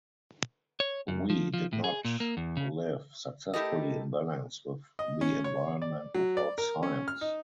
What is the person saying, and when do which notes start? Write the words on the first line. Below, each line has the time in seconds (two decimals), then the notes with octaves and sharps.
We did not live successfully in balance with the environment without science.
0.80 C#5
1.08 F#2
1.30 F3
1.54 F3
1.73 A2
1.84 G#4
2.05 A#2
2.20 A#3
2.37 E2
2.57 C#3
3.54 A3 E4 G4 A4 A#4 D#5
4.99 D#5
5.21 C#4
5.44 C#5
5.82 D5
6.15 F#3
6.37 D5
6.58 A#4
6.83 C#4
7.08 F6
7.21 D#4